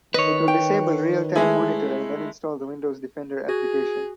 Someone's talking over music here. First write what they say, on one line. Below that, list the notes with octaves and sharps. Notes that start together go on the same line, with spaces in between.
It will disable real time monitor and uninstall the Windows Defender application.
D#3 B4 C#5 D#5
G5
G#3 A3 E4 G#4
F#4 G#4